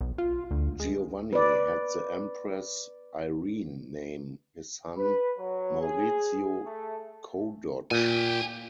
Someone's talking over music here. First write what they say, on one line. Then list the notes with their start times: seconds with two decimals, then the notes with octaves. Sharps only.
Giovanni had the Empress Irene name his son Maurizio co-doge.
0.01 B1
0.18 F4
0.51 D2
0.80 G#3
1.33 B4 D5
4.97 B4
5.38 F#3
5.80 G#4
6.65 A3
7.91 A#2 G4 G#5